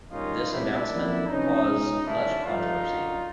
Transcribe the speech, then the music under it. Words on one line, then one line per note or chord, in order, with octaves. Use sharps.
This announcement caused much controversy.
F#2 D#3 G3 A#3 C#4 D#4 F4
B2 G3 C4 D4 E4
F2 D3 F#3 A#3 C#4
F2 C3 E3 C#4 D#4
C#2 B2 G#3 C#4
D#2 D3 G3 A#3 C#4 D4 E4
G2 D3 F3 A3 D#4 F4
F#2 D3 F#3